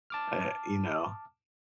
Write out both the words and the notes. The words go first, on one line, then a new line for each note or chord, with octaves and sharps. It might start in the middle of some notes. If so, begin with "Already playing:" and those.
eh, you know.
A5 D6 F6